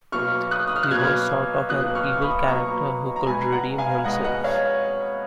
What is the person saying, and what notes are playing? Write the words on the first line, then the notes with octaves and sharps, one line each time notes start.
He was sort of an evil character who could redeem himself.
B2 F#3 A#3 C#6 F6
D#6 F#6
D#6
F6
F#6
B2 F#3 A#3 F6 G#6
B2 F#3 A#3 D#6 F#6
C#6 F6
C#6
B5 D#6
B2 F#3 A#3 A#5 C#6
A#5
B2 G#3 G#5 B5
F#5 A#5
F5 G#5
B2 G#3 D#5 F#5
D#5 F#5
C#5 F5